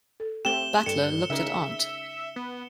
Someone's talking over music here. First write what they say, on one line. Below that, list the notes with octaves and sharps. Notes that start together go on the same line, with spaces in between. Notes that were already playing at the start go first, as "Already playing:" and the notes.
Butler looked at aunt.
A4
A3 C4 G4 G5 E7 G7
G2 A4 C#7 E7
C#3 D#4 A#4 E5
B3